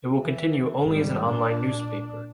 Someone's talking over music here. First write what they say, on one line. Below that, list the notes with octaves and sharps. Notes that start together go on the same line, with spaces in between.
It will continue only as an online newspaper.
E3
G#1 G3
A#2 D4